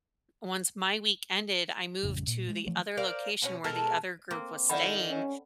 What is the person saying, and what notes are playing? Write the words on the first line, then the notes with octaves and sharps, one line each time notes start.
once my week ended, I moved to the other location where the other group was staying,
A1 F2 C#3 G3
A#2
G#3
E3 F3 A3
A#4 C5 D5 F5
B2 B3 C#4
B2 G#3 A4 A#4
A#3 C4
D#3 E4 A4 D5 F#5 B5
C#4